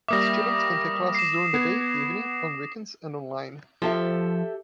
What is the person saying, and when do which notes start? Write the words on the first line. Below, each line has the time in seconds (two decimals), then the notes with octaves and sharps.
Students can take classes during the day, evening, on weekends, and online.
0.08 G3 A#3 E5 D6 D#6 A#6
1.15 C7 E7
1.54 B3 G#6
3.82 F3 G4 A4 E5